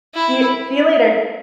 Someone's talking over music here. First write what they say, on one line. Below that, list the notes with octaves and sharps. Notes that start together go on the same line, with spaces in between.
See y see you later.
E4